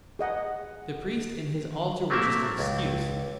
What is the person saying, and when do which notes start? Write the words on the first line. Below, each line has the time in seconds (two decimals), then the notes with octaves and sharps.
The priest and his altar were just an excuse.
0.19 G#4 D#5 F#5
2.10 F#3 A3 A#3 C4 E4 E5
2.59 C#2